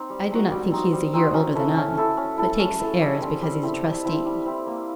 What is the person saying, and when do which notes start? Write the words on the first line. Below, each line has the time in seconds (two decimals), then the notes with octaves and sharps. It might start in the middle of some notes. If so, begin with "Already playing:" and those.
I do not think he is a year older than I, but takes airs because he's a trustee.
Already playing: C4 D#4
0.10 G3
0.31 C4 D#4 F#4
0.51 G3
0.72 C4 D#4 F#4
0.93 G3
1.14 C4 D#4 F#4
1.34 C#4
1.55 E4 A4
1.76 C#4
1.97 E4 A4
2.17 C#4
2.38 E4 A4
2.59 C#4
2.80 E4 A4
3.00 G3
3.21 C4 E4
3.42 G3
3.63 C4 E4
3.84 G3
4.04 C4 E4
4.25 G3
4.45 C4 E4
4.67 A#3